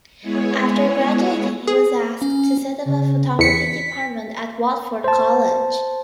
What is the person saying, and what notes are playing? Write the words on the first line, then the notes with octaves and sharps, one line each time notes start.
After graduating, he was asked to set up a photography department at Watford College.
G#3 B3 E4 G#4 C#5
G#4
C#4
C#3
E2 B6 C#7
C5 A5